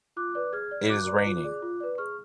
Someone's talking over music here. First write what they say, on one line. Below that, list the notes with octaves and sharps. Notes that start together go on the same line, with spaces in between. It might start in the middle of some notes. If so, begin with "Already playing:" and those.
It is raining.
F4 D6 F#6
B4 D5
G#4 F6 G#6
D5
F#4 D6 F#6
B4 D5
F4
G#4 D5
F4
B4 D5
G#4 C#6 F6